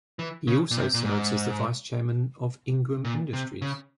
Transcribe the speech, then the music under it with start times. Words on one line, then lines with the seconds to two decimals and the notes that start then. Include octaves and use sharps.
He also serves as the Vice Chairman of Ingram Industries.
0.19 E3
0.48 C#3
0.71 A#2
0.76 C3
0.94 A#2
1.05 G#2
3.05 A#2
3.33 C3
3.62 C#3